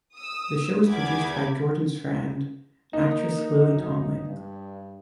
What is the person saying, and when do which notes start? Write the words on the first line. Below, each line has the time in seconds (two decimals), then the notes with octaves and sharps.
The show is produced by Jordan's friend, actress Lily Tomlin.
0.15 D#6 E6
0.87 E2 B5 D6 G#6
2.93 A#3 D#4
3.59 F#2
4.23 G2